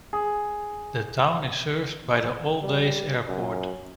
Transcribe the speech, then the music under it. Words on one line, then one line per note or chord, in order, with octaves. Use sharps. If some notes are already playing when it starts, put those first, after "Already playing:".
The town is served by the Alldays Airport.
G#4
G3
F#2